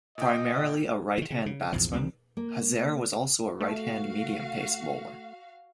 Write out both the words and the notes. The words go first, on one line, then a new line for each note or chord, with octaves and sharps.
Primarily a right-hand batsman, Hazare was also a right-hand medium-pace bowler.
A#2 D#5 G5
D#3 E3
C#3
C#3
A#1 E2 G#2 F3
C2 G3 C4
A#3
A3 F#4 F5